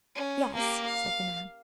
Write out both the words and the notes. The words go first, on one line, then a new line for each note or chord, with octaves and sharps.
"Yes," said the man.
C#4
A#3 G4
F5